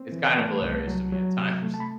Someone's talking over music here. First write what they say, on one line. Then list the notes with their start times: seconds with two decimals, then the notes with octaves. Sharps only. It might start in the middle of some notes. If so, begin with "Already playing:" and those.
It's kind of hilarious to me at times.
Already playing: C4
0.12 E3
0.26 G5
0.37 A3 F#5 A5
0.62 C2
0.87 F#3
1.12 F#3
1.37 C3
1.62 A3
1.74 A5
1.80 B5